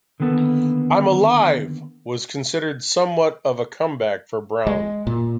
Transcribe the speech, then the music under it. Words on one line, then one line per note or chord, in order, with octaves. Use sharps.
"I'm Alive" was considered somewhat of a comeback for Browne.
D3 D#3 A#3 B3 A4 B4
G#3
A#2